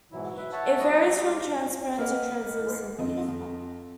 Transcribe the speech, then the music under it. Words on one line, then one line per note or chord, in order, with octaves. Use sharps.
It varies from transparent to translucent.
G#2 B2 E3 F#3 E4
B4 E5
C#5 E5 F#5 A5
F#3 E4 D#5
G4
A#3 A#4 B4 D#5 F#5
F2 D#5
F2